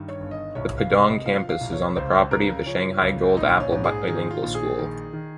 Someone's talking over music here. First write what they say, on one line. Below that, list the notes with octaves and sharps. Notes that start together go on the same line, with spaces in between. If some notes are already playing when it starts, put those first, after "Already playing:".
The Pudong Campus is on the property of the Shanghai Gold Apple Bilingual School.
Already playing: G2 D#3
C#5
G1
D#5
C2 C#5
F5
C3
D#5
F3 F5
F5
C2
C#5
C#2 C5
C#3 A#4
F3 C#4
C#2
A#1 D#4
C#4
G#2
G#4
D#3 G#4
F4
A#1
G#4
D#3
D#3